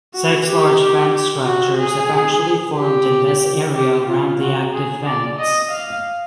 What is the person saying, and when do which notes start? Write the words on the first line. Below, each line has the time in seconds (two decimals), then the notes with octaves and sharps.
Six large vent structures eventually formed in this area around the active vents.
0.14 F#4
0.47 G4
1.46 F#4
1.78 G#4
2.77 G4
3.75 G4
4.07 F4
4.41 F#4
4.74 G#4
5.05 D5
5.39 D#5
5.71 F5